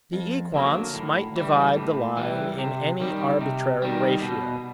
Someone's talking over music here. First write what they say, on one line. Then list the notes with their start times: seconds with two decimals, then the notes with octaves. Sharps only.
The equants might divide the line in any arbitrary ratio.
0.13 F2
0.54 D3 F#3 A#3
0.94 A2
1.36 E3 G3
1.76 A2
2.17 E3 G3
2.59 C3
3.00 D#3 G3
3.41 C3
3.82 D#3 G3
4.22 B2